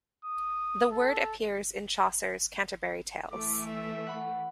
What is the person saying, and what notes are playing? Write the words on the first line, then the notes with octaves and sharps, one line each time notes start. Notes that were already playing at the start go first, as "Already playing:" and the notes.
The word appears in Chaucer's "Canterbury Tales".
D#6
A4
E3 A3 D6
E5
F#5 B5 C#6